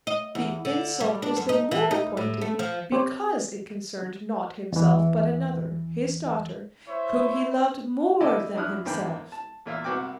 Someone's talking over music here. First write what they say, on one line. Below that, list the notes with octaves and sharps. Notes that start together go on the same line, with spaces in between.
The insult was the more pointed because it concerned not himself but another, his daughter, whom he loved more than himself.
D#5
E2
D3
G3
D4
F#2
D#4
E3
D#4
A2
A3
F3
C4 G4 C5 C#5
E2 E3
E4 C5 C#5 E5
D4 E4 G4 A4 D5 D#5
F#2 D4 E4 D#6 F6 F#6
E2 G#2 D3 A#3 G5 B5
A5
E2 A#2 E5 F5 F6
C2 C3 A#3 F#4 G5 D6